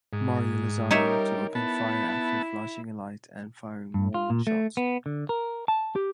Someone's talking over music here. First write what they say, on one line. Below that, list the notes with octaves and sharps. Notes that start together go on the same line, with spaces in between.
Mario Lozano, to open fire after flashing a light and firing warning shots.
G#2
G3 D#4 A#4 C#5 E5
B3 E4 A5
G2
F4
A#2
A3
B3
D3
A#4
A5
G4